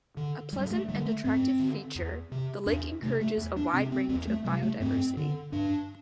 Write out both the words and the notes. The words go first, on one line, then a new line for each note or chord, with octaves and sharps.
A pleasant and attractive feature, the lake encourages a wide range of bio-diversity.
D3
G2 G3
A3
D3 G3
A3
G2 C4
D3
E2
C3
E2 D4
C3 A3
A3
E2
D4
C3 C4
C4
E2 C4
A3
C3 G3
A3
G2 C4
D3
G2 D4